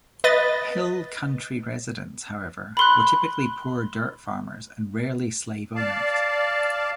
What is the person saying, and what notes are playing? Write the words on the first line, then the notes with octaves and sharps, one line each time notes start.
Hill country residents, however, were typically poor dirt-farmers and rarely slave owners.
B4 D#5 A6
B5 C6 F#6
D5 F5 A5